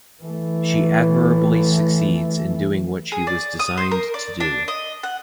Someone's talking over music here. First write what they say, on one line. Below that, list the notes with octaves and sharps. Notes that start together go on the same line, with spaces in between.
She admirably succeeds in doing what she was designed to do.
E3 A3
G#4
D5
D#6
C5
A#4
D5
D4
D#5
F#5